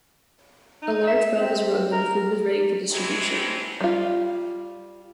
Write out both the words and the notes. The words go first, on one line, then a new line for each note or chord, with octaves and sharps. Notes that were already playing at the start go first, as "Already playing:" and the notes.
A large bell was rung when the food was ready for distribution.
D#4
E5
C4
A#4
G2 C3 E3 F#3 G#3 C4
G3 F4